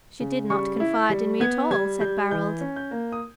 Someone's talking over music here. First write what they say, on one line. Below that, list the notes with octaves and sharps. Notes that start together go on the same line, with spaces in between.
"She did not confide in me at all," said Barold.
C#3
G3 C#6
E4
G3
B3 G#6
G3 G#6
G3 G6
E3 G6
C#4
G6
A#3
D#6